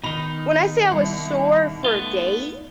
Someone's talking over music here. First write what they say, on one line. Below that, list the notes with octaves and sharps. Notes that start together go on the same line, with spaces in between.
when I say I was sore for days;
B2 D#3 D#4 B5 F7
C2
A3 B3 F4